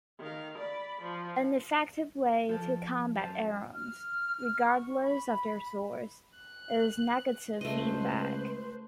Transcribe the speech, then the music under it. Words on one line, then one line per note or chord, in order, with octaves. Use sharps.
An effective way to combat errors, regardless of their source, is negative feedback.
D#3 F5
D5 B5
F3
F3 A4
F#2 C5 A5
F6
C#6
B5
F#6
C#2 A3 B4 C5 D#5